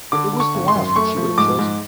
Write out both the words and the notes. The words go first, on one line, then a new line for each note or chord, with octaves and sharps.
It was the last which she would have chosen.
D3 D6
D3
C#6
G#1
C6
F#2
A3 C#6
F3
G#2 D6
G#2